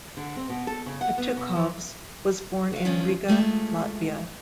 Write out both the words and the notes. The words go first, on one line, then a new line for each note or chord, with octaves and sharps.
Petukhovs was born in Riga, Latvia.
D3
C4
B2
A4
C#3
F#5
B3
B2
F3
F#4 F5
G2 D#3 F3 C#4 D4 F4
G#3 A3 F4 E5